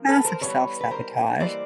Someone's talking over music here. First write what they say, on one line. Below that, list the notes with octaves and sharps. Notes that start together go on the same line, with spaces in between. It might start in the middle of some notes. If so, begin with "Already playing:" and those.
massive self-sabotage.
Already playing: F3 A#3
A4 B4
A#4 C5
E3 G3 B3 B4 C#5
B4
A#4 C5
E3 G3 A#3 C5 D5